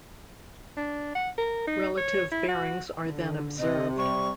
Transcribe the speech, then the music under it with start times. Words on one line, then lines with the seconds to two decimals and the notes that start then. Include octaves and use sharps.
Relative bearings are then observed.
0.77 D4
1.15 F#5
1.38 A#4
1.67 D#4
1.97 C#5
2.32 E4
2.49 F#4
3.06 D3
3.58 C3 D#5
3.97 G3 C#6